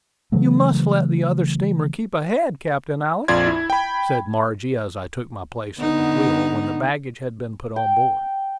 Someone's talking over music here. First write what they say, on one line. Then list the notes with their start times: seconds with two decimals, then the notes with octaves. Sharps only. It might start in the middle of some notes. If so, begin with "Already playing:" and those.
"You must let the other steamer keep ahead, Captain Alick," said Margie, as I took my place at the wheel, when the baggage had been put on board.
0.32 C#3 E3 F#3 A3
3.28 A#1 F2 F4 D5 C6 G#6
3.47 E4
3.70 G5 B5
5.80 D3 B3 D#4
7.76 G5